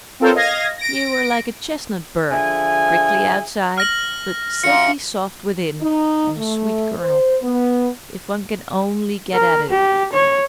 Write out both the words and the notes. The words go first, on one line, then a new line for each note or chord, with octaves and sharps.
You are like a chestnut burr, prickly outside, but silky-soft within, and a sweet kernal, if one can only get at it.
C4 F4 A4 A#4 C5 C#5
D#5 F5 G#6 A#6
A#6 D7
D3 F3 G#4 E5 G#5
F6 A#6 F#7
F#2 F4 C#7
D#4
A3
C5
B3
A#4
G4
C#5